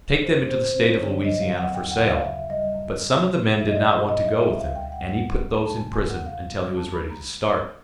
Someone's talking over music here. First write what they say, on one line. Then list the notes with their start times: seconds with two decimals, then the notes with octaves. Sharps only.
He was to take them into the state of Louisiana for sale, but some of the men did not want to go with him, and he put those in prison until he was ready to start.
0.24 F2 C5
0.49 D3 C5
0.74 C4 C5
0.91 C#5
0.99 D3
1.08 D5
1.24 F#3 D#5
1.41 F5
1.49 F#3
1.58 F#5
1.74 D#2 G5
1.91 F#5
1.99 C#3
2.08 F5
2.25 F#2 E5
2.50 G3 D#5
2.75 F#2
3.01 F#2
3.25 B2
3.50 B2
3.59 E5
3.67 D#5
3.75 B2 D5
3.92 D#5
4.00 B2
4.09 D#5
4.26 G3 E5
4.43 E5
4.51 D2
4.59 F5
4.75 D2 G5
4.92 F#5
5.01 G3
5.09 F#5
5.26 G#3
5.51 F#2 A#5
5.66 A5
5.76 C#3 G#5
5.93 G#5
6.01 F#2
6.10 F#5
6.26 G3 F5
6.52 G3
6.77 F#2 A5
6.93 B5
7.02 F#2
7.10 A#5